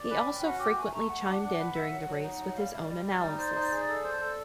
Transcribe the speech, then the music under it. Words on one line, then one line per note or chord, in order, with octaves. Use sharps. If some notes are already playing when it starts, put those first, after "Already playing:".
He also frequently chimed in during the race with his own analysis.
Already playing: D5
B4 G#5
C#4 G5
F#4 F#5
G4 G5
A3 G#5
A3 A#5
A3 F#5
D4
D4
B4
E5
F#3
F#3
D#4
F#3
G3 F5
G3 F5
D5
G3 D#5
G3 D5
D#4
C5
D#4
G#4
A4
C5
A4